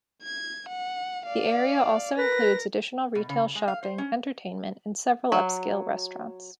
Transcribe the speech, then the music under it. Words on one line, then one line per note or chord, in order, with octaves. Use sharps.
The area also includes additional retail shopping, entertainment, and several upscale restaurants.
G#6
F#5
D5 F5
A#4 B4 A#6
B2
C#3
G#3
F5
C5
C#4
F#3